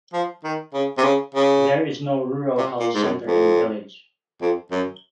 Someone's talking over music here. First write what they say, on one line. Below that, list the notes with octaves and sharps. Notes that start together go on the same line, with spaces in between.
There is no Rural Health Centre in village.
F3
D#3
C#3
C3
C#3
C#3
C3
A#2
G#2
F#2
F2
F2
F#2